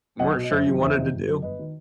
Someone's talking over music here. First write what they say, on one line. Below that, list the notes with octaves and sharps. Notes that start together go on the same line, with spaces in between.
weren't sure you wanted to do?
B1 D#5 F#5
B2
D#5
F#1 C5 E5
F#2 D#3
E1 C5 E5
E2 C3 D#3
G1
F#2 D#3
G1 B4 D#5
D#3